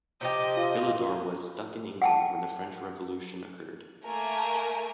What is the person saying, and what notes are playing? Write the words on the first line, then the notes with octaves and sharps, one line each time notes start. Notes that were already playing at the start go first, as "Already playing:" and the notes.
Philidor was stuck in England when the French Revolution occurred.
C3 F3 G4 D#5
F4
F#5 G5 A5
A3 A#3 A#4 G#5